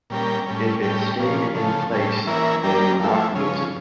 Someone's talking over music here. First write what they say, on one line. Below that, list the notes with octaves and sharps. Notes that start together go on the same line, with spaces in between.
If it stayed in place they were not guilty.
A#2 G3 C#4 G4 A#4
A2 G3 C#4
A2 G3 C#4 G4
A#2 F3 C#4
C#3 F3 A3
A2 G3 C#4
E3 A#3 C#4 E4 A#4
G3 A#3 D4 G4 A#4
F3 A3 E4
C#3 F3 C#4